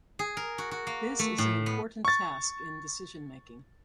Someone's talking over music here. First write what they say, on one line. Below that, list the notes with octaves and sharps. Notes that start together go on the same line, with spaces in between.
This is an important task in decision making.
G#4
A#4
F#4
F#4
A#3
A3
A2
B3
C#6 A6